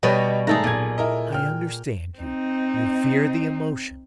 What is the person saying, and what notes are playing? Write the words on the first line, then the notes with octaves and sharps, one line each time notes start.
I understand you; you fear the emotion.
B2 G3 G4 B4 C#5 D#5
G#2 D#3 A3 G#4 A4 A#5
B1 A#2 G#6
E4 A#4 D#5
G5 F6
C4 D#4